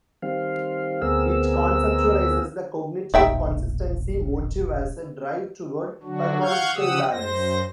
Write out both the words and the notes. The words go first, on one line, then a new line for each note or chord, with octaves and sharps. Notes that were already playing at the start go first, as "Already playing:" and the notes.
It conceptualizes the cognitive consistency motive as a drive toward psychological balance.
D#3 G3 C4 F5
D2 B3 C4 G#4 A#4 E6
E1 A#1 D#4 E5 G5
D3 F#3 D4 F#4
F5 F#5 C#6 F6 G6 G#6
C#3 F3 G4 F#5 D#6 E6
F#2 C5 A#6